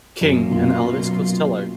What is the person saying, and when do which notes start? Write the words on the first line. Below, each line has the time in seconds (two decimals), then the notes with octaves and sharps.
King, and Elvis Costello.
0.21 F#2 B2 F#3 A#3 F4
0.51 F#2 A#2